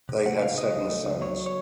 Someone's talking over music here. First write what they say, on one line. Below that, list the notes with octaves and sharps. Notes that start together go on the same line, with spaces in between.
They had seven sons.
C3
A3 F#5
C#2 F5
C#2 D#5
C#3
A3
C#2
F#3 C#5
C#5